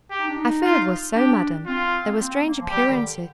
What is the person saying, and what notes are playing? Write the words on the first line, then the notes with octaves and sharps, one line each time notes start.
'I fear it was so, madam, there were strange appearances.
G4
D#4
D4
D#4
F4
D4 G4
C4 F4
A#3
C4
A#3
F3
G3 G4
D#3
D3